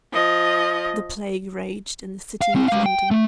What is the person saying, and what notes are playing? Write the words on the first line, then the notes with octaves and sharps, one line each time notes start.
The plague raged in the city of London.
F3 D#5
F5
C4 E4
G#3 F5
G5
A3